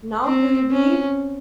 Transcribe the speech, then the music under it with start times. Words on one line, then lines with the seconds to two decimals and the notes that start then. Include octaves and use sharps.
Now do you believe?
0.24 C4
0.71 C#4